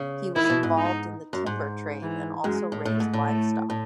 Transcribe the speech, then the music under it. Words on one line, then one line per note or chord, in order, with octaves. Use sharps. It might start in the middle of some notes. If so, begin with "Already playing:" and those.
He was involved in the timber trade and also raised livestock.
Already playing: C#3
D#3 E4
B2
G#2
D#4
F#2
G#2
E3
F#2 G#3
A2
A2 A3
G#2
A2
A3
A2